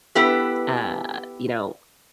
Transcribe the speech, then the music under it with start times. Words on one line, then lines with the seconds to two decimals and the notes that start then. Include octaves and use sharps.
uh, you know,
0.15 B3 E4 G4 A4 B4